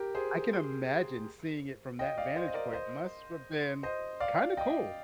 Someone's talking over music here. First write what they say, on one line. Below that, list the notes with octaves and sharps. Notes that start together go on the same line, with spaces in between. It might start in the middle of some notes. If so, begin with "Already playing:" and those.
I can imagine seeing it from that vantage point must've been kinda cool.
Already playing: G4 A#4
G#4 C5
D#5 G5
D5 F5
C5 D#5
D#5
A#4 D5
C5 D#5
C5 D#5
D5 F5
D#5 G5